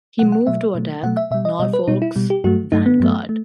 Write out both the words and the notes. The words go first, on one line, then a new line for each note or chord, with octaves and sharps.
He moved to attack Norfolk's vanguard.
B2 F#3 A3 F#5
F#5
B2 F#3 A3 E5
B2 F#3 A3
B2 F#3 A3 F#5
E5
B2 G3 E5
D#5
B2 G3 D#5
B4
B2 G3 D#4
E4
B2 G3
G4
G2 F#3 A3 F#4
G2 F#3 A3 D#4
B3
G2 F#3 A3
A3